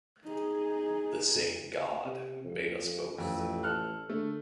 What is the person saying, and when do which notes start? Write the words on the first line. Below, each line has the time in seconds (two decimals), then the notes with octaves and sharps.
The same god made us both.
0.24 D#4 G#4
2.05 C3
2.44 F2
2.81 F2
3.18 A1 F2
3.63 A4 F6 F#6
4.09 D3 A3